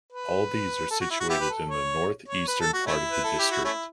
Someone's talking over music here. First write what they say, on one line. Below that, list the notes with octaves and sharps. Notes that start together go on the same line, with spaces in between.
All these are situated in the north eastern part of the district.
B4
A4
F#4
E4
F#4
B3 E4 G4
B4
A4
C#5
C#5
B4
A4
F#4
A3 C#4 E4
B4
A4
G4
F#4
A3 C#4 E4